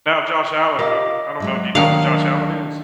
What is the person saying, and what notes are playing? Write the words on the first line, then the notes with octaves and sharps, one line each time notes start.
Now, Josh Allen I I don't know. Do you know who Josh Allen is?
F4 G4 A#4 D#5 D6
F#3 G#3 E4
D2 D#3 F#3 A#3 D4 F5